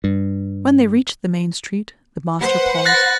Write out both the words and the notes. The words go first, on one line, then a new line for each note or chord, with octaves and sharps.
When they reached the main street the master paused.
G2
B4 C5 F#5
F#6 A6 A#6